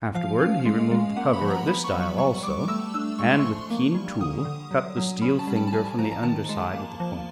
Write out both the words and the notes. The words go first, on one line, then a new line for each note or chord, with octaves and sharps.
Afterward he removed the cover of this dial also, and with keen tool cut the steel finger from the under side of the pointer.
F3 F5
C#4
G#3
G#3
A#3 F#5
B5
F3
A#5
B3 B5
C#6
F#3
C#6
G3 C#6
G3 D6
A3 E6
D4 E6
G#3 C#6
C6
F3 C#6
A#3
G3
D3 D#6
D3
F#3
F#3
C#4 B5
A5
G3
A5
A5
F3 G#5
A5
F3 A#5
A#5
D#3 A5
G#3
A#3
F3